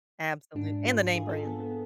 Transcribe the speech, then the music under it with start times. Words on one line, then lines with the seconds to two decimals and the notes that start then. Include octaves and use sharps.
absolute and the name-brand.
0.55 G#2 D4
0.85 F4
1.15 G#4
1.29 A4
1.45 B3
1.60 B3